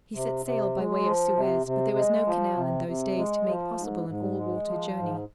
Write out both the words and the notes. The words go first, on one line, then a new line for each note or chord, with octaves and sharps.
He set sail by way of Suez, but there was no canal in those days to make possible an all-water journey.
C3
C3
G#3
F3
C3
C3
G#3
F3
C3
C3
G#3
F3
G#2
G#2
G#3
F3
G#2